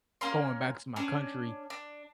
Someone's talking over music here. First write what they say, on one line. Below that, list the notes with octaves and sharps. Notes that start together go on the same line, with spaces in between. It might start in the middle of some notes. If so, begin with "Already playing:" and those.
going back to my country
A#3 C#4 C6
C#4 D4
D4